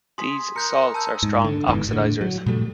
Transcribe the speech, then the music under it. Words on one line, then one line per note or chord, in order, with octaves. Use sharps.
These salts are strong oxidizers.
G#4 C6 D#6 B6
A#4 F#6 G6 C#7
A5 E6 G6
G#2
D3
G1 E2 G#2 E3
A2 D3
F#3
A#2 F3 G3 A3